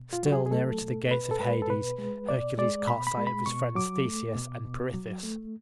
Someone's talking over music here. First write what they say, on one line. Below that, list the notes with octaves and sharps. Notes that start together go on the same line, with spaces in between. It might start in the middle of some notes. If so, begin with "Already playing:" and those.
Still nearer to the gates of Hades Hercules caught sight of his friends Theseus and Pirithous.
Already playing: B2
F4
F#3 F#4
G#4
G#4
A3 A4
B2
B2 B4
A4
G#3 B4
A4
B2 B4
G#3
B2 D5
G#3 D5
B2 B5
B5
G#3
B5
B2 C#6
F#3 D6
A3
B2
B2
F#3
A3